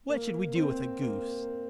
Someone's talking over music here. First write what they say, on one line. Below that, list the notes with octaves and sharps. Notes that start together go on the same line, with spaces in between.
What should we do with a goose?
A#3
C4
A#3